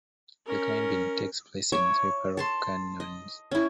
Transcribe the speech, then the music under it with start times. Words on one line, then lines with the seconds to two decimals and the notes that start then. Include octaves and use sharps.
The climbing takes place in three parallel canyons.
0.46 C#4 A#4
1.72 C#5 E5 D6
2.37 A4 A5 C6
3.00 D#5
3.51 C#4 E4